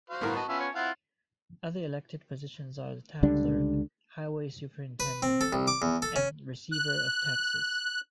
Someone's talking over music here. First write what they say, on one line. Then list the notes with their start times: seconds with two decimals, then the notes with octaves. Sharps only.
Other elected positions are the Town Clerk, Highway Superintendent, and Receiver of Taxes.
0.10 F#4 C5 F5
0.21 G1 A2 B3 A#4
0.35 F#4 D#5 A5
0.49 B3 C#4 F4 E5
0.60 C#5
0.75 C4 E4 F4 F5 F#5
3.23 C#2 D3 G3 D4
5.00 B4
5.22 C4
5.41 A4
5.53 C2
5.67 D6
5.82 E2
6.02 A4
6.16 C#4
6.72 F#6